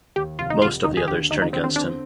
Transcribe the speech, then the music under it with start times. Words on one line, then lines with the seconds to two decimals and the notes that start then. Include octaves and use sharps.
Most of the others turn against him.
0.16 D#2 G4
0.39 F1 F4
0.50 D#4
0.62 F1 F4
0.84 D#2 D#4
0.97 G#4
1.08 D3 G4
1.30 D#2 D#4
1.42 D#4
1.53 D3 C4
1.64 C4
1.76 C4 D4